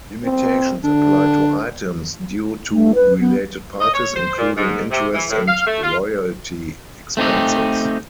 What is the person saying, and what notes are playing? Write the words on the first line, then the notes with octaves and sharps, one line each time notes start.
Limitations apply to items due to related parties, including interest and royalty expenses.
C4
D3 D4
A3
B4
B3
D#5
C#5
C5
A#2
G#2
C3
E3
A2
F5
A3
F4
A3 C4 D#4 G4